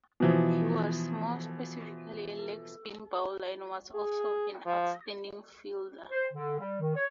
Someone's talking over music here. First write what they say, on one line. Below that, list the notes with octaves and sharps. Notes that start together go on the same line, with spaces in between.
He was more specifically a leg spin bowler and was also an outstanding fielder.
B2 E3 F3
G#4
F3
C5
D3
G3
D#3
C#5